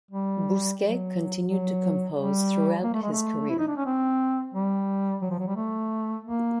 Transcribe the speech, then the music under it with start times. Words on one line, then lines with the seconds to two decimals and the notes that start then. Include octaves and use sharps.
Bousquet continued to compose throughout his career.
0.11 G3
0.79 F#3
1.48 F#3
2.15 G3
2.83 A#3
2.93 A3
3.02 G#3
3.12 A3
3.49 E4
3.59 D#4
3.68 D4
3.77 C#4
3.86 C4
4.54 G3
5.22 F#3
5.30 F3
5.39 F#3
5.48 G3
5.56 A3
6.23 A#3